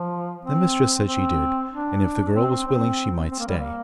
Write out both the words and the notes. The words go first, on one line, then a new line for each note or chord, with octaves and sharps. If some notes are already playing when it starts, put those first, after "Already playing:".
The mistress said she did, and if the girl was willing she might stay.
Already playing: F3
C4
C4
D4
C4
C4
C4
C4
A#3
G3
A#3